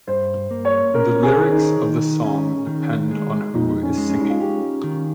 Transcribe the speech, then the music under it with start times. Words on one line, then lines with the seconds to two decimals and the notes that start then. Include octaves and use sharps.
The lyrics of the song depend on who is singing.
0.07 G2 C5
0.51 A#3
0.65 C#5
0.94 C#4 A#4
1.23 G#4
1.37 D#3
1.52 D#4
1.81 D#3
2.24 C#4
2.67 D#3
3.11 G#3
3.54 F2 D#4
3.83 C#4
3.97 G#3
4.09 C#4
4.20 D#4
4.30 F4
4.40 C#4 G4
4.84 D#3